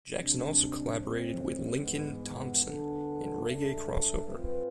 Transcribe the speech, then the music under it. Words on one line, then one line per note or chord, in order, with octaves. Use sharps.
Jackson also collaborated with Lincoln Thompson in reggae crossover.
C3 G#3 D4
A2 G#3 C4
G#2 E3 G#3 B3
D3 G#3 B3 D4 A4
G#3 D4 A4 E5
A2 G#3 C4 F4 B4